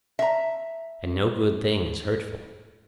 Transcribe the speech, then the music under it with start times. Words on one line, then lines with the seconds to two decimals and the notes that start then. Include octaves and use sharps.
And no good thing is hurtful?
0.19 E5 A#5